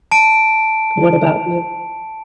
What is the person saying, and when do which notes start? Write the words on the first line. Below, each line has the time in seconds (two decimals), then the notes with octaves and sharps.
what about you?
0.12 A5 D7